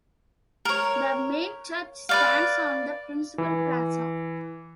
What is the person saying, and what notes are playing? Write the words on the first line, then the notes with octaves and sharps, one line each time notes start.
The main church stands on the principal plaza.
A#4 C#5
B4 D5 F5
E3